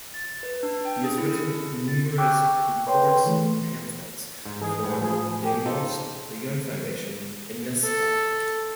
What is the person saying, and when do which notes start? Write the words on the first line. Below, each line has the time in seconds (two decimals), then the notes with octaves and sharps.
He has written numerous reports and pamphlets for Demos, the Young Foundation and Nesta.
0.14 A6
0.43 B4
0.63 D4
0.85 G5
1.04 G#4
1.18 E4
1.29 A4
1.88 A6
2.18 G5 C#6 D6 E6 F#6
2.87 B4 C#5 G5 C6
3.25 E3 A3
4.45 G#2
4.61 E3 G#4
4.84 A2
5.01 F3 G#4
5.43 G4
5.66 D#4 F4 A4
7.84 A4